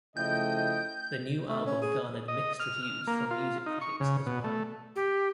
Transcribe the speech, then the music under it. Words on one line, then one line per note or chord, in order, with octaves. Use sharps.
The new album garnered mixed reviews from music critics as well.
C#3 F3 A3 E4 D#5 G5 G6
A3
C#4
G#4
D#5
F6
F6
A#3
F4
D#4
C#6
C#3
B2
A3
G4